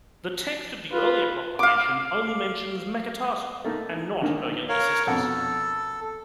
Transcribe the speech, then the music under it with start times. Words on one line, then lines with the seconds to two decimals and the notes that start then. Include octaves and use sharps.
The text of the Earlier Proclamation only mentions Meketaten and not her younger sisters.
0.92 F4 B4
1.59 F5 D6
3.64 A3 A#3 D#4
4.21 D3 D#3 A#3
4.69 A#4 C#5 F5
5.07 F2 B2 A4 F#5